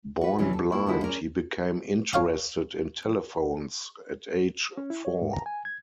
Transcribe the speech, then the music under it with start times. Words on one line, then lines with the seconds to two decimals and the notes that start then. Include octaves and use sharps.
Born blind, he became interested in telephones at age four.
0.21 F#4 B4
0.39 C3 E3 F#3 G3 C#4
0.53 A4
0.72 A#3 E4
0.86 D3 F3 G#3 A#3 E4 F#4
1.04 C#4 A#4 D5
2.13 C#5 F5 G5
4.77 C#4
4.90 E4
5.05 C#5
5.22 G#2
5.33 A#5
5.46 G#5
5.65 G#6